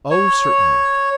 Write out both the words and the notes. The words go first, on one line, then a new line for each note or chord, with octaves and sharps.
'Oh, certainly.
C#5